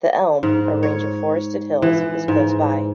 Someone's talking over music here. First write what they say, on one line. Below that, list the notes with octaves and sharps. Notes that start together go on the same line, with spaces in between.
The Elm, a range of forested hills, is close by.
G#2
C#5
E3
G#2